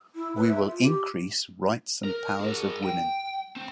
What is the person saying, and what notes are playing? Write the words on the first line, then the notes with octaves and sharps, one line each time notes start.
We will increase rights and powers of women.
E4
B4
E5
F4
G4
A#4
G#4 A#4
G5
C4